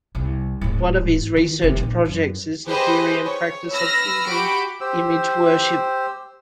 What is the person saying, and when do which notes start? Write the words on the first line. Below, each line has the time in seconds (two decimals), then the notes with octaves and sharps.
One of his research projects is the theory and practice of Hindu image-worship.
0.15 C2
0.61 D1 G#2
1.37 D#3
1.62 F1 C3
1.79 A#2 D#3
2.05 F#2
2.67 G4 G#4 B4 C5 D#5
3.24 C#5
3.72 B4 B5 E6 F6 A#6
4.28 F#4 G4 B5 D7
4.81 G4 C5 E6